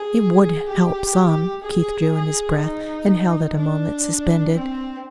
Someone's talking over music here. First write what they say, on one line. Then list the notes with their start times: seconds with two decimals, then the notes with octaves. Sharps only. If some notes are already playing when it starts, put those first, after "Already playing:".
"It would--help some." Keith drew in his breath and held it a moment suspended.
Already playing: G#4
0.67 G4
1.63 G#4
2.12 G#4
2.60 D#4
3.56 D4
4.53 C4